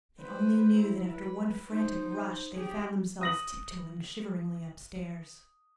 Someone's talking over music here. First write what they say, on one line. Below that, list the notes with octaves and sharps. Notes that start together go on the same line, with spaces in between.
They only knew that after one frantic rush they found themselves tiptoeing shiveringly upstairs.
B4 C5
E4
B4
D#4 C5
G4 G#4
D#6 A#6 F#7